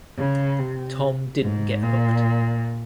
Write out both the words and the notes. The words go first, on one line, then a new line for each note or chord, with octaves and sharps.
Tom didn't get hooked.
C#3
C3
G#2
A#2